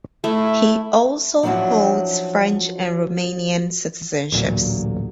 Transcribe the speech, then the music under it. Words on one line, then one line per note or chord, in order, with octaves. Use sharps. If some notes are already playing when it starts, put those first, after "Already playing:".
He also holds French and Romanian citizenships.
A3 E4
F3 F#3 C#4 D4 E4 F#4
A1 D2 A#2 F#3